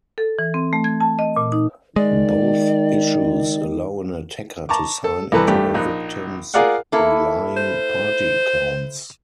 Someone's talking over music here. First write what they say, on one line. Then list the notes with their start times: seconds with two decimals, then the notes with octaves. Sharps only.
Both issues allow an attacker to sign into a victim's relying party accounts.
0.18 A4
0.39 E3
0.54 C4
0.73 A3
0.84 G#6
1.00 A5
1.19 D#5
1.36 A#2
1.52 D#4
1.96 D#3 G#3 D5
4.69 A5 A#5 C#6 D6
5.04 A4
5.32 C2 E3 A4 B4 A#5
5.48 G2 A3 G4
5.74 A#1 D#4 F#6
6.54 F4 G#4 A#4 D5 F5 F#5
6.92 A#3 E4 A4
7.57 C5